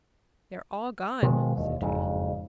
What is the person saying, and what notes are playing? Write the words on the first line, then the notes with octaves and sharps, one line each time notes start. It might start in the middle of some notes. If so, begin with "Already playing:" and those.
"They're all gone," said he.
B2 D#3 F3 G#3
E1 D#2
F#1 F2 G#2